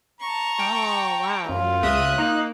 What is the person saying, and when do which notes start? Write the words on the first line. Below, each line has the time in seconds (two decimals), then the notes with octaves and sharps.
Oh, wow.
0.21 A5 A#5 C#6
0.59 G5
1.49 F#2 F4
1.83 C#2 D#5 E5 D#6 F#6
2.18 A#3 D#4